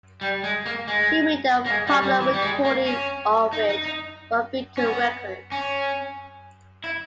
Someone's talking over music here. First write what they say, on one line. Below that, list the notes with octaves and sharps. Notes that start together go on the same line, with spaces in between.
She made a popular recording of it for Victor Records.
G3
G#3
A#3
G#3
A#3
G#3
G3
G3
E3
G3
G#3
A#3
C#4
D#4
D#4
D#4
C#4
B3
C#4
E4